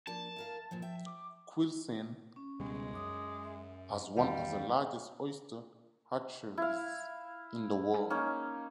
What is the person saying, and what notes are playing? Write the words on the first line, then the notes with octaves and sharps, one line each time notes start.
Quilcene has one of the largest oyster hatcheries in the world.
F3 A#3 D4 A5
E4 A#4 F5
D#2 A#2 E3 F3
E5 G5
D6
C#4
C#2 B2 G3 G#3
F#2 D6 D#6
E5
E2 D#3 G3 F5 G5
E4 F5
A#3 C#4 D#4